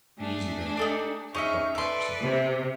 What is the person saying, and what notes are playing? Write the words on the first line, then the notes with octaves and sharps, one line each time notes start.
"Easy there!" said Buck Patterson.
A3 D4 G#4
D#4 A4 D5
C#4 D#4 G#4 D#5 E5 C#6
A4 B4 D5 E5 C6
C3